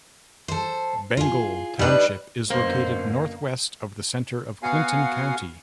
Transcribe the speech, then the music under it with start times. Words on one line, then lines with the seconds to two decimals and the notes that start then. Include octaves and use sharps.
Bengal Township is located northwest of the center of Clinton County.
0.48 A4 C5
1.17 F4 G#4
1.79 G3 D4 D#4 B4
2.50 F#2 B2 D3 A#3 C5
4.63 B3 F#4 F5 F#5 G#5